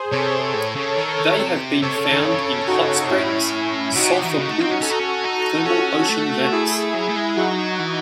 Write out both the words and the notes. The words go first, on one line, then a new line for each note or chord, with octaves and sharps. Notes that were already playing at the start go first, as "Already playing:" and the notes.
They have been found in hot springs, sulfur pools, thermal ocean vents.
Already playing: G#4 C5
C3 A4 C#5
A2
C#3
D#3 A4 C#5
C3
C3 A4 C#5
C#3
D#3
C#3
D#4 F#4
C3
A2 C#4 E4
A2
C3 D#4 F#4
E3
D#3
C#3
A3
C4
C#4
C#4 F#4 A4
D#4
C#4
D#4
C#4 F#4 A4
A3 F#4 A4
E4 G#4
F#3
A3
G#3
F#3 D#4 F#4
E3